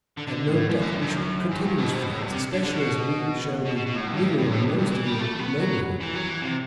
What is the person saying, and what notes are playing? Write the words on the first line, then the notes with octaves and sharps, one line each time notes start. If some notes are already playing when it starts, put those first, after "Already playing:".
I have no doubt we shall continue as friends, especially as we shall be living almost in the neighbourhood.
D3
D3
A2
F#2
G2
F#2
G2
F#2
G2
G2
B2
C3
B2
A2
G2
C3
D3
D3
B2
B2
B2
B2
A2
G2
A2
G2
G2
A2
G2
G2
E3
G3
A3
B3
F#3
E3
F#3
E3
C3